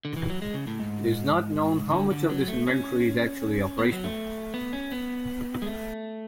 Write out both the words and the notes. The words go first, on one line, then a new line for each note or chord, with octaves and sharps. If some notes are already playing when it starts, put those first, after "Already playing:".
It is not known how much of this inventory is actually operational.
D3
E3
F#3
G#3
C#3
A2
G#2
D3
D3
F#3
A3
C#4
B3
F#3
A3
B3
C#4
B3
G#3
A3